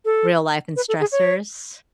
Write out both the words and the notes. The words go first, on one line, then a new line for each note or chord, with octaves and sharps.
real life and stressors.
A4
B4
A4
G#4
C#5